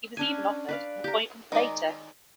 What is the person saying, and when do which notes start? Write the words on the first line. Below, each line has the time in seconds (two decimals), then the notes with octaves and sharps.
He was even offered an appointment later.
0.17 C#4 D4 G#5
0.69 B4 D5 F5
1.04 G4 A#4
1.52 D#3 G#3 D#4 D5